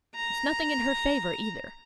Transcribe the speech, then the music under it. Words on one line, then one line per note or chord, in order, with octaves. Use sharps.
It's nothing in her favour, either.
A#5